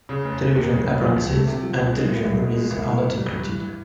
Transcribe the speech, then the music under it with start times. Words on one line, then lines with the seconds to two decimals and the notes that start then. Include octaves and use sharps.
Television appearances and television movies are not included.
0.09 C#3
0.24 F1
0.40 F1
0.55 D#2
0.71 C#3
0.86 F1
1.01 F3
1.17 C#2
1.31 A3
1.47 C3
1.62 F3
1.78 C#2
1.93 G#3
2.09 C2
2.24 C2
2.39 B2
2.54 G#3
2.71 C2
2.86 E3
3.01 G1
3.17 G3
3.32 G2
3.46 E3